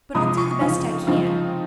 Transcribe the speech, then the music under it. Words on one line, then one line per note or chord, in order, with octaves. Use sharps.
But I'll do the best I can.
C3 F3 G#3 D#6
C#6
C#3 F3 C4 D#4
C#3 F3 C4 D#4